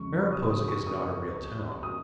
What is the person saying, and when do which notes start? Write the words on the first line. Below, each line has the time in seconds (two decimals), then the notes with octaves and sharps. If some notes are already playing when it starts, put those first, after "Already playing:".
Mariposa is not a real town.
Already playing: F2 C#3 G#3 C#6
0.33 D#6
0.50 D#6
0.68 C#6
0.87 D#6
1.83 D#6